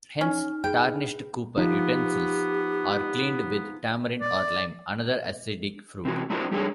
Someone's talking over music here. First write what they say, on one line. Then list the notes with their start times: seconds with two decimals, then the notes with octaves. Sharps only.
Hence, tarnished copper utensils are cleaned with tamarind or lime, another acidic fruit.
0.21 C#4 D#4 F6
0.64 G#4 B4 G5
1.58 F3 B3 D#4 G4
4.21 D5
6.05 C3 E3 F#4
6.30 A3 D4 E4 F#4 C5
6.51 G3 A3 D4 G#4 C#5